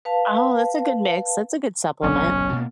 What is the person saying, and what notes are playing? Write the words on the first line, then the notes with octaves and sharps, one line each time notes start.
Oh, that's a good mix. That's a good supplement.
B4 F5 A5
F#1 B1 A#2 C#4
B2 A#3